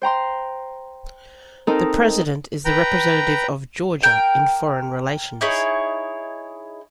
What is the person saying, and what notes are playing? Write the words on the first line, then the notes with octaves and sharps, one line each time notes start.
The President is the representative of Georgia in foreign relations.
C5 G5 A#5 C6
C4 D#4 A4 A#4
B4 G5 A#5
A#4 G5
D#4 E4 G#4 C#5